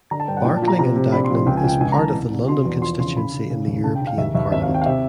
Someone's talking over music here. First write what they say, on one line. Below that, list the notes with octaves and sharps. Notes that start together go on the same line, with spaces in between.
Barkling and Dagenham is part of the London constituency in the European Parliament.
D3 A#5
A5
G2 G5
F#5
A#2 G5
A5
F3
A#5
C3 A#5
C3
A#1 B5
C6
F3
C6
C#2 G5
G#5
C#2 G5
C#2 G#5
A#5
E3 A5
C2
C2
B2 C6
E2
F3 C6
C#3 C6
C#3 B5
C#3
C#3
D#2
C#3 A5
G5
C#3
F5
D#2 E5
D#2 E5
G#1 E5
F5
G#1
G5
F5
C3 E5